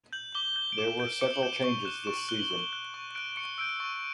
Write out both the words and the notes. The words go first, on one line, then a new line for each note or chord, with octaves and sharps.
There were several changes this season.
G6 F#7
D6 G7
G6
D7
D6 E7
G6 D7
D7
D6 C#7
F#7
G6 E7
C#6 D7
F#6 E7
E7
C#6 D7
F#7
F#6 G7
F#7
C#6
F#6
C#6
F#6 D7
D7
C#6 C#7
E6 G6 D7
C#6